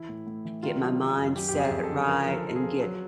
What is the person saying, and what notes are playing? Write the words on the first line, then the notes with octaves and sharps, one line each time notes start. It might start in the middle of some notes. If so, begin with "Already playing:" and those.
get my mind set right and get,
Already playing: E3 E4
A2
A2
E3
D#3 F4
F#3
D#3
F#2
F#3 G4
G4
F2
G#4
F2
A4
D3
A4
F3 A#4
A#4
F3
A4
F3
G#4
F3
F#3